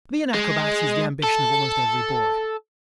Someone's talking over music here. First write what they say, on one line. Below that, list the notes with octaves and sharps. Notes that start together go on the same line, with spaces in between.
To be an acrobat is the ambition of almost every boy.
G#3
A4